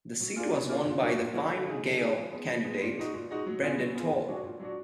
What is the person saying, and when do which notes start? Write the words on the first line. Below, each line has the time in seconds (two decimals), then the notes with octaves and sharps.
The seat was won by the Fine Gael candidate Brendan Toal.
0.20 F#3
0.36 A#3 D4 F4 G#4
0.52 F#3
0.69 A#3 D4 F4 G#4
0.85 A#2
1.02 F#3 A#3 D4 F#4
1.18 A#2
1.33 F#3 A#3 D4 F#4
1.50 D3
1.66 G#3 D#4 G#4
1.83 D3
1.99 G#3 D#4 G#4
2.16 F3
2.32 G#3 B3
2.48 F3
2.65 G#3 B3
2.81 A#2
2.97 G#3 D#4 F#4
3.14 A#2
3.30 G#3 D#4 F#4
3.46 F#3
3.62 B3 F4 G#4
3.79 F#3
3.95 B3 F4 G#4
4.11 A#2
4.28 F#3 D4 F#4
4.43 A#2
4.60 F#3 D4 F#4